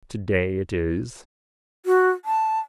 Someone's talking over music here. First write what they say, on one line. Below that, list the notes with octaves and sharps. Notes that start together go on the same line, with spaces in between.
Today it is.
F#4
A5